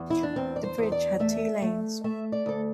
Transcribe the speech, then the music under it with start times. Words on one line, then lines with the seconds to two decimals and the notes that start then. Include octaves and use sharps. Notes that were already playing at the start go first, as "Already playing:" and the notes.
The bridge had two lanes.
Already playing: E2
0.10 E4
0.23 D4
0.36 E2 C4
0.56 D5
0.64 C5
0.78 E2 C5
0.92 D5
1.20 A3 E5
1.62 A3
2.04 A3 E5
2.32 D5
2.46 D2 A4